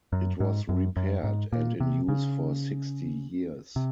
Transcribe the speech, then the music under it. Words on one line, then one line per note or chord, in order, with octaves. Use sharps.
It was repaired and in use for sixty years.
F#2
G#2
F#2
F#2
G#2
A#2
C3
C#3
C3